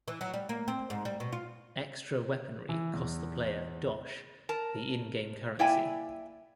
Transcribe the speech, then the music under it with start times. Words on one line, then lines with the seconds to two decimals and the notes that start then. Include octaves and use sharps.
Extra weaponry costs the player "dosh", the in-game currency.
0.08 E3
0.21 F#3
0.34 G3
0.49 A#3
0.68 C4
0.90 G#2
1.05 G3
1.20 B2
1.32 F4
2.69 E3
2.94 E2
4.49 A#4 A5
5.59 A#3 E4 D5 E5 G5 G#5